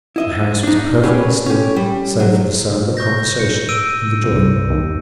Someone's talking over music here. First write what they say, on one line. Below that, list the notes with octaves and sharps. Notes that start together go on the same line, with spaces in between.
The house was perfectly still, save for the sound of conversation in the drawing-room.
E4 D#5 E5
D4 D#4
B2 A3 C#4 G4 G#4 B4
C#4 G4
G3
F#3
C#6 G6 A#6
C#7
E6 D7 D#7
C2
D#2